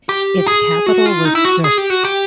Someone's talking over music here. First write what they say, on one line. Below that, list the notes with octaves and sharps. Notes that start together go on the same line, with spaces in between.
Its capital was Czersk.
G4
G#4
F#4
F4
D#4
E4
F#4
G#4
G4
F#4
G4